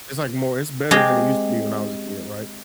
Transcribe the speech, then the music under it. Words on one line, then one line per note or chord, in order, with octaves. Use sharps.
it's, like, more it's better than it used to be when I was a kid, right,
G#3 C4 G4